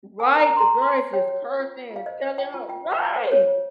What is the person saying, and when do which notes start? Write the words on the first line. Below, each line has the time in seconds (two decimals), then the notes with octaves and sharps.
Right, the girl is just cursing and telling her Right!
0.19 A#4 G#5
0.35 A#4
0.40 A#5
0.50 C#4
0.57 C6
0.61 A#5
0.66 C#4
0.81 G4 C6
0.97 C#5
1.13 C#5 G5
1.29 C#5
1.44 C5
1.59 F4
1.76 F4
1.91 F4
1.96 F5
2.06 C5 D#5
2.23 C5
2.38 F4 G5
2.54 F4
2.69 F4 G5
2.85 C5
2.91 G5
3.00 F4 F5
3.16 C5
3.32 C5 C#5
3.47 F4